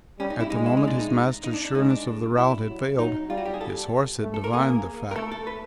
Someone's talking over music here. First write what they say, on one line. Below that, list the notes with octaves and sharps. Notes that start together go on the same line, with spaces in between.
At the moment his master's sureness of the route had failed his horse had divined the fact.
G3 C#4
D#4
E4
G#3 D#4
E4
D#4
D4
D#4
D#4
D4
D4
G#3 D#4
D4
G3 E4
F#3
F#3 D#4
G3 F4
F#4
G4
G#4
A4
A3
A4
A#4
A#3 G#4
A#4
A3 A4
A4
B4